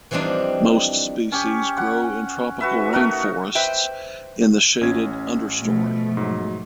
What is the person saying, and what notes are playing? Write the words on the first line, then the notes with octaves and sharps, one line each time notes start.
Most species grow in tropical rain forests in the shaded understorey.
E3 F3 G3 C4 D4 D#4
C#4 G4
F#5 G5
F#4 B4 E5
A3 D#4 F#4 A#4
B4 C5 E5 G5
A1 C#4 G#6
B2 F3 A3
G#2 F#3